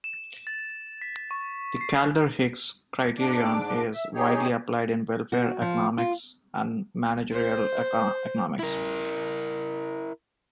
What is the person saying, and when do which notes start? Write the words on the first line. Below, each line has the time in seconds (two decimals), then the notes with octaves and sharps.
The Kaldor-Hicks criterion is widely applied in welfare economics and managerial economics.
0.04 E7
0.47 A6
1.02 B6
1.31 C#6
1.81 C7
3.18 G#2 D4 D6
3.94 E5
4.15 D#4 G4 G#4 C#5
5.32 F#4
5.62 F3
5.98 F4
7.32 C5
8.59 E4 A#4